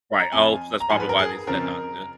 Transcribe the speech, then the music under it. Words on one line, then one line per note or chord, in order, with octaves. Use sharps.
Right oh, so that's probably why they said not to.
A#5
F2 F3 G#5
A#5
G#2 F3 G#5
B4
A#4
G#4
F2 C#3 F3 A#4